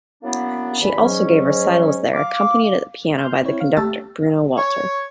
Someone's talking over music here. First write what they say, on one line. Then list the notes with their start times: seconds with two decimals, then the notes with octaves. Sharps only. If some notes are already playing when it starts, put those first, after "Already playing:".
She also gave recitals there accompanied at the piano by the conductor Bruno Walter.
0.22 F#3 A#3 B3 C#4 D4 E4
0.80 E2 G2 E3 B5
1.00 G#2 F#3 C#4
2.13 F5 D6
3.18 C6 F6 G6
3.43 C4 E4 C#5
3.60 F5
3.77 A3 G4 E5 A6
4.57 C#5